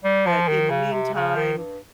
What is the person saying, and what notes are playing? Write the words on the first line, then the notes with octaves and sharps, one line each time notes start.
but in the meantime,
G3
F3
D#3
C#3
C3
C#3
D#3
G2